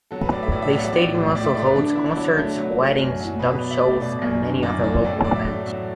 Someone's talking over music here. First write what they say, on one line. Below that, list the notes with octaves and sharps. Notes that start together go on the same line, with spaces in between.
The stadium also hosts concerts, weddings, dog shows, and many other local events.
F#3 A4
B4
A2 D5
E5
A2 D5
E5
F#3 E5
D5
A2
A2
A2 D5
E5
A3 D5
B4
D3 D4
D4
D3 E4
D4
F#3 E4
A3 D4
F#3
A3
F#2
F#3
B2 B4
B4
B2 D5
E5
A3 D5
B2 D5
F#2
D3
F#2 D5
F#3 D5
A2 D5
F#3 D5
E5
A3
F#3